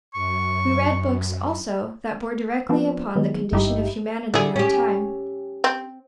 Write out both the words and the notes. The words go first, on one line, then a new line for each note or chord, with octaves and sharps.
We read books, also, that bore directly upon the condition of humanity in our time.
F#2 C#6
F3 B3 C4 D4
D#3 F#3 G#3 B3
G1 G2 D#4 E4 G4
D3 E4 G#4
C#4 G4
C4